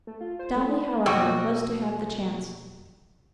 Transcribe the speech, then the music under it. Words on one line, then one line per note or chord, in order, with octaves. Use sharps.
Dolly, however, was to have the chance.
A3
F4
C5
A3
D#4
F2 B2 G3 A#3 F#4 D#5 C#6 E6